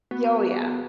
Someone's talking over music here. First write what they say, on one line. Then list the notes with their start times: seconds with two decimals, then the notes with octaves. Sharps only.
Y oh, yeah.
0.11 B3 F#4
0.42 G#4
0.64 B4
0.73 A#4